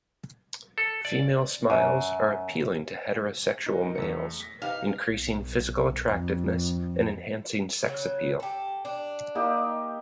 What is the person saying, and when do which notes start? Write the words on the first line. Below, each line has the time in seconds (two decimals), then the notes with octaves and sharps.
Female smiles are appealing to heterosexual males, increasing physical attractiveness and enhancing sex appeal.
0.78 A4
1.05 D5
1.70 F#2
3.66 D#4 F#4 A#4
3.95 E2 A3 C#7
4.40 A#6 B6
4.62 D#4 G4 B4 F5
5.11 B1
6.11 F2
7.85 C#3 F#3
8.40 G4 A4
8.85 D4
9.35 A#3 D#4 G4